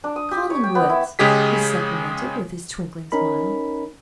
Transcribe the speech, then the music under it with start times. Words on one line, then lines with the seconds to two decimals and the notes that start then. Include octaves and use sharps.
"Collingwoods!" he supplemented, with his twinkling smile.
0.04 D4
0.16 D#6
0.31 G4
0.50 C#5
0.64 G5
0.75 B3
0.89 E4
1.19 C#3 G#3 G4 G#4 B6
3.12 C#4 D#4 A#4 B5